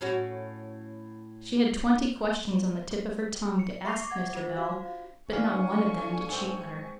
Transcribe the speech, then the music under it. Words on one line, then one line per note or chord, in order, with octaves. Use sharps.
She had twenty questions on the tip of her tongue to ask Mr. Bell, but not one of them did she utter.
A2 C#4 F#4
C#7
E5 C#6 D6 A#6 C7 F7
F#5 G#6
F4 C5
F#4 F5
E3 D4 F5 G#5 C#6
A4
G#2 C4